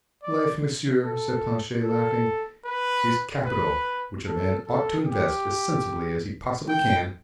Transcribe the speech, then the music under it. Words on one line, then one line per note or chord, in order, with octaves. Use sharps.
"Life, monsieur," said Planchet, laughing, "is capital which a man ought to invest as sensibly as he possibly can."
D5
A4
A4
B4
B4
A4
A4
G4
G5